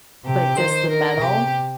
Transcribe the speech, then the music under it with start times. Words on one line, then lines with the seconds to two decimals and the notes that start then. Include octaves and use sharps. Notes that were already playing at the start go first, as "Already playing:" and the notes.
Like, just the metal
0.25 C3 G4
0.57 D#3 C5
0.89 A#4
1.21 C3 G4